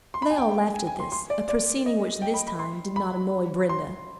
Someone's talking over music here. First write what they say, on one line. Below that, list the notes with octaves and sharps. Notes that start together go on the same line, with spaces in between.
They all laughed at this, a proceeding which this time did not annoy Brenda.
C6
B5
G#5
G5
G#5
G#5
C6
C6
D5
D5
D#5
G5
B5
B5
C6
B5
C6